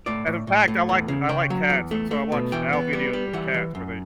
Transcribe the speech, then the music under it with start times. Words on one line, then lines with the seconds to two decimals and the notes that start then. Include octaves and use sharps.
and in fact, I like t I like cats, and so I watch owl videos with the cats where they
0.06 A2 D5
0.26 A2
0.47 A2
0.68 A2
0.89 E2 F#5
1.08 C#3
1.29 C#3 G5
1.50 F#3
1.70 E2
1.91 A3
2.11 A3
2.32 B2
2.52 E3 G5
2.73 B3
2.93 G3
3.13 G3
3.33 E3 F#5
3.54 E3
3.75 F#2